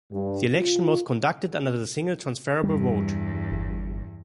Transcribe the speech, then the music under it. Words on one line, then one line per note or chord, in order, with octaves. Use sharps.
The election was conducted under the single transferable vote.
G2
F4
E2 G2 G3
G1